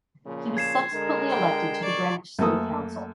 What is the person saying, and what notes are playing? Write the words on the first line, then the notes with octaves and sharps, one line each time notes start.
He was subsequently elected to the Greenwich City Council.
A#2 C#3 F3
G#6 C7 E7
D3 G#3 A#4
G5
D5 C#6
F#2 A3 A#3 A4 D#6